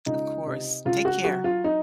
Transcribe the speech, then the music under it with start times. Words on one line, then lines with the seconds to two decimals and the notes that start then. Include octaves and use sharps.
Of course. Take care.
0.06 C#2 D#4
0.46 C3
0.85 C#2 F4
1.05 F#4
1.24 F#3 F#4
1.44 F4
1.64 D#4